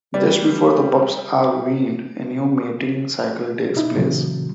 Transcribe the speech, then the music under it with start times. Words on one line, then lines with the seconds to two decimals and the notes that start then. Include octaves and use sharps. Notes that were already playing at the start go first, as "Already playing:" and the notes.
Just before the pups are weaned, a new mating cycle takes place.
0.14 G3 B4 D5
3.76 B2 D#4 E4
3.94 A#2 C#3 E3 F#3